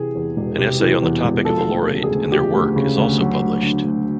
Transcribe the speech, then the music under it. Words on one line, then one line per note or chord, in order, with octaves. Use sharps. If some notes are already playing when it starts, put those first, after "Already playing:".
An essay on the topic of the laureate and their work is also published.
Already playing: C3 E3 G#4
E2
E1
C3
E3
E2
E1
F3 A4
D2
A4
C#3
G#4
D2
F3 G4
D2
C#3
D2
F#3
D2
D3
D2